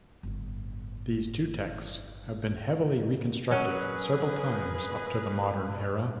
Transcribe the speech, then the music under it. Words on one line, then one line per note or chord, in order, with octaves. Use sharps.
These two texts have been heavily reconstructed several times up to the modern era.
G1 A2
F#3 C#4 G#4 A#4 B4 C#5